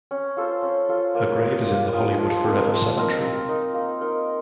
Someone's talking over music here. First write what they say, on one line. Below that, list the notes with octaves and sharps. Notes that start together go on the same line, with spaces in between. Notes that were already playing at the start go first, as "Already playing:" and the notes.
Her grave is in the Hollywood Forever Cemetery.
C#4
F4 A4 C5
C#4
F4 A4 C5
A#3
F4 C5 D#5
A#3
F4 C5 D#5
F3
C4 D#4 A#4
F3
C4 D#4 A#4
A#3
D#4 A#4
A#3
D#4 A#4